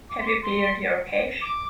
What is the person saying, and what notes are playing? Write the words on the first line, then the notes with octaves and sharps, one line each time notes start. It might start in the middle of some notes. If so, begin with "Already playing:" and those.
Have you cleared your cache?
D6
C6
D6
C6
D6